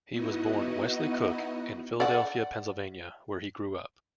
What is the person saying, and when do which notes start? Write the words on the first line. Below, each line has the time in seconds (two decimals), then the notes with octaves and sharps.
He was born Wesley Cook in Philadelphia, Pennsylvania, where he grew up.
0.13 B3 D#4 E4 F#4 D#5
2.00 D5 F#5